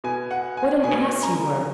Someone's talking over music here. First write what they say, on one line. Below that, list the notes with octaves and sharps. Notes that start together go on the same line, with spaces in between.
"What an ass you were."
B2 G#5
F#5
G#5
B2 G#5
A#5